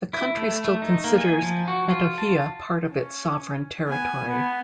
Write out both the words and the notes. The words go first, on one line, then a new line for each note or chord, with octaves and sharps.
The country still considers Metohija part of its sovereign territory.
E4
A3
A3
D#4
A#3
G#5
F3
F#4
F4
A5
C#4
B3 G#5
B3